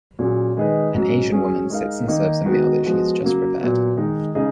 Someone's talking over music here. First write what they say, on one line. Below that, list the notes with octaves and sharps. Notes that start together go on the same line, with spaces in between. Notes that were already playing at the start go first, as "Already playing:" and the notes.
An Asian woman sits and serves a meal that she has just prepared.
A#2 F#3 C#4 G#4
D#3 G#3 D#4 G#4 B4
G#2 F#3 C#4
F#3 C#4 G#4
G#3 D#4 A#4 F5
D#3 A#3 D#4
D#3 G#3 B3 F#4
F3 G#3 B3 F#4
C#3 F#3 A#3
A#2 F#3 B3
D#3 G#3 D#4
C#3 G#3 D#4 G#4 D#5